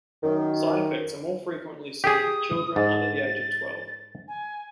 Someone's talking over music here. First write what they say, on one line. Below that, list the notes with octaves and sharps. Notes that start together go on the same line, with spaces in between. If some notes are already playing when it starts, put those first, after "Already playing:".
Side effects are more frequently seen with children under the age of twelve.
F#2 D#3
G4 G#4 D#6
G#2 A6
G#5